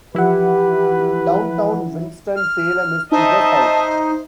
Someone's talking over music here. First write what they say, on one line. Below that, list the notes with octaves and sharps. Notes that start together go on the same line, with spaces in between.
Downtown Winston-Salem is to the south.
E3 F3 E4 G4 B4 F#5
F6
D#4 C5 D#5 E5 A5